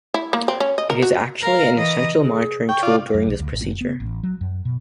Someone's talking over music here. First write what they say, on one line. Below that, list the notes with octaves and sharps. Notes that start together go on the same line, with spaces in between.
It is actually an essential monitoring tool during this procedure.
E4
A#3
C4
C#4
D#5
A#4
F#4
A#4 F5
E3 D#5
G#4
G5 C#6
F4 D5
F#2
B1
D2
A1
F#1
B3
A1
F#3
F#2
B2